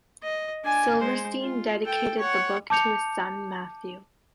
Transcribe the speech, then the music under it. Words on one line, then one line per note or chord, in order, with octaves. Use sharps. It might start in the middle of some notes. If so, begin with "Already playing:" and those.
Silverstein dedicated the book to his son, Matthew.
D#5
D4 G#5
G#3 C5
F4
A4 G5
C#5 F#5
A5 D6 G6 C#7 F7